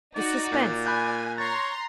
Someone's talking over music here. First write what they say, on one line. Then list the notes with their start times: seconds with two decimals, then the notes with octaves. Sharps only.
This suspense!
0.16 D#4 F#4 D5
0.52 A#2
0.86 G#5 B5 F#6 G6
1.38 C#5 A#5 C6 A6